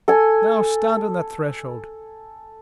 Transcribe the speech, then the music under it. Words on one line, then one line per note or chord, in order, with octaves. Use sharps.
Now stand on that threshold.
A4 G#5